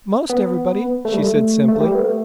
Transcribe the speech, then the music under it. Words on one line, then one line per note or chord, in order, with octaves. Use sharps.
"Most everybody," she said simply.
B3
A3
G3
A3
A3
G3
B3
A3